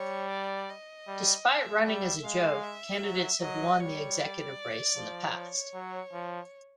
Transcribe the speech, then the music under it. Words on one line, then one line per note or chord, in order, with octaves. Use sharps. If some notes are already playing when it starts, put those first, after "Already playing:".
Despite running as a joke, candidates have won the executive race in the past.
Already playing: G3 C#5
D5
D#5
G3
E5
G3 E5
G#3 F5
E5
F#3
F#3 D#5
G3 C#5
D5
F3
C#5
F#3
F3